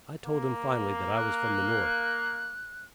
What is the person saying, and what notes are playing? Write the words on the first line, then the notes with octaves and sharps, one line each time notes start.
I told him finally that I was from the North.
A#3
F#6